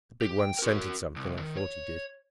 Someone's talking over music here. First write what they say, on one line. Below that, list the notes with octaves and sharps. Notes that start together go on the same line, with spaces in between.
"The big one scented something, or thought he did."
G4
G5
F#4 A#4
C2
D#3
C#5